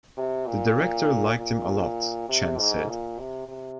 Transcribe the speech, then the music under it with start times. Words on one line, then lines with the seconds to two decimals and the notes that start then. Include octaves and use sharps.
"The director liked him a lot," Chan said.
0.18 C3
0.47 A#2
1.38 A#2
2.29 C3
2.59 G#2
2.89 A#2
3.19 C3
3.48 C3